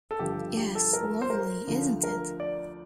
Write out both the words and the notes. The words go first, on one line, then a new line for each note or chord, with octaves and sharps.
Yes, lovely, isn't it?
A4
G1 G2 D3 F3 G4
G4
A4
A#4
C5
A#4
D2 D3 F3 A3
A#4
D5